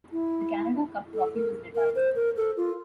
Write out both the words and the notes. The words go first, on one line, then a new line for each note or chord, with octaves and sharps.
The Canada Cup trophy was retired.
E4
A4
A#4
A#4
C5
A#4
A4
F4